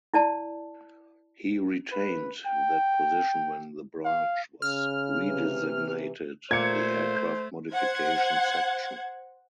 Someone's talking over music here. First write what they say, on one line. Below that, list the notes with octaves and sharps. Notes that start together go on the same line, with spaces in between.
He retained that position when the branch was redesignated the Aircraft Modification Section.
E4 D5 A5
B4
G5
F5
C#3 F6
C3 E3
A#2 A3 A#3 C5 G#6 C#7
C5 F#5 G#6